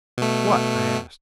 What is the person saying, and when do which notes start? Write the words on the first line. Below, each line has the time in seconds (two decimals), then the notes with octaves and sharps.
"What?" I asked.
0.18 B2 A3